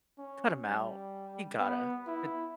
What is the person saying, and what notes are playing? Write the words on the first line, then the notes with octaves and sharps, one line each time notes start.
cut 'em out. You gotta. It
C#4
G3
B3
E4